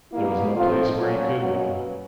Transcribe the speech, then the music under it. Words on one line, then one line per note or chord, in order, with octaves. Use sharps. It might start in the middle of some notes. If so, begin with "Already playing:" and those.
There was no place where he could run.
B2 G3 A#3 E4
G#2 F3 A3 C4 F4
A#2 F#3 A#3 C#4 F#4
B2 F#3 A#3 C#4 F#4